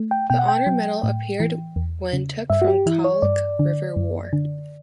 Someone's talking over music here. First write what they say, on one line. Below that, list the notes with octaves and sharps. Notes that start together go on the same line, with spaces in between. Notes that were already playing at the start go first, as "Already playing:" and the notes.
The honor medal appeared when took from Khalkh river war.
Already playing: A3
G5
B2 G5
F#5
G5
F#3
A2
E3
E2
C#3
G2 E5
F#4
G4
E3 E4
C#5
G2 D5
D3
F#2
D3